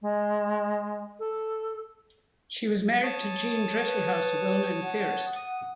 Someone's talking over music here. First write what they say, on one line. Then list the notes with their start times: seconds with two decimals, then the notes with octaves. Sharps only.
She was married to Gene Dresselhaus, a well-known theorist.
0.01 G#3
1.19 A4
3.03 C#5 A5 D#6
3.85 B4
4.83 F#5
5.36 D#6